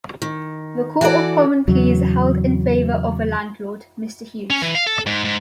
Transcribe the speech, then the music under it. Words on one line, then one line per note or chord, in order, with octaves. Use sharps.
The Court of Common Pleas held in favour of the landlord, Mr Hughes.
D#3
E3 F#4 A4 D5
E2 C#3 F#3
C#4
E3
F5
A4
G#2
G#2